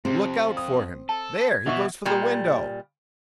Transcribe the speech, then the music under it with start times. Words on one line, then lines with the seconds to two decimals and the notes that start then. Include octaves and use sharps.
"Look out for him--there he goes for the window."
0.05 F2 C3 C4
0.57 D#6
1.09 A4 A5
1.51 G#6
1.66 B2 E3 E5 C#6
2.05 A#2 G3